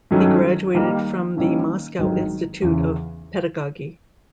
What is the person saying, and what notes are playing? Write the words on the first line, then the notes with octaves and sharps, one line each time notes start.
He graduated from the Moscow Institute of Pedagogy.
G2 D#3 F#3 A3 C#4
D#3 G3 A#3 D#4
D#3 G3 A#3 C#4 E4
G#1 G2 D#3 F#3
E2 C#3 E3